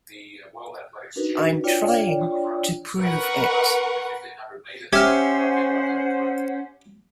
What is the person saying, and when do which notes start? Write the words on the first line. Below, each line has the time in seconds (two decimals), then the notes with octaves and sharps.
I'm trying to prove it.
1.16 D4 D#4 F#4 A#4 B4
1.64 D4 F4 C#5 D5 G5
3.00 A#4 B4 F#5 C#6
4.93 C#4 G4 C5 E5 F#5 F6 G#6